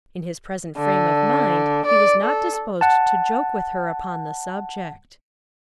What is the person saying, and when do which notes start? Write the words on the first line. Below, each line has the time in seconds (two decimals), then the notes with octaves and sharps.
In his present frame of mind he was not disposed to joke with her upon the subject.
0.78 D3
1.86 D5
2.21 A4
2.81 F#5 A5